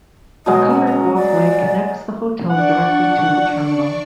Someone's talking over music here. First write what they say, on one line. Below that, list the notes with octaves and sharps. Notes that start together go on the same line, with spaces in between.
A covered walkway connects the hotel directly to the terminal.
B2 F#3 G#3 D#5
C#4
C#4 A#5
D5
D4 D5 F#5 C#6